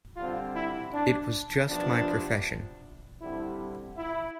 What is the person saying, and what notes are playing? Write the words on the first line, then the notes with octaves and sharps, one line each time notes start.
It was just my profession.
D3 G3 C4 F4
E4
D4
C3 F3 B3 D4
D3 G3 C4 E4
E4